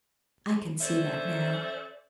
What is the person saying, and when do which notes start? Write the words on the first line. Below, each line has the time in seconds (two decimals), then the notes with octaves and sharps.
I can see that now.
0.81 C#4 A4 C5 D5 E5